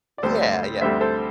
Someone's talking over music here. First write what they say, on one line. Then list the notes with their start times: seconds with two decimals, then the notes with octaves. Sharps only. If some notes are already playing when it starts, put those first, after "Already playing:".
Yeah, yeah.
0.18 D5
0.23 D2 D3 G3 C4 A4 C5
0.81 D2 D3 G3 C4 C5 E5
1.01 A4 C5